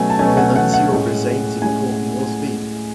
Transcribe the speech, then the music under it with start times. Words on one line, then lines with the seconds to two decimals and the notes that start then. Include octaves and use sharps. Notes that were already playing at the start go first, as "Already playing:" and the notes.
The nuncio resides in Port Moresby.
Already playing: B2 F#3 A3 C#4 G#5
0.10 A5
0.19 B2 F#3 A3 C#4 G#5
0.37 F#5
0.56 F#5
0.74 F#5
0.91 A2 G#3 C#4
1.62 A2 G#3 C#4 G#5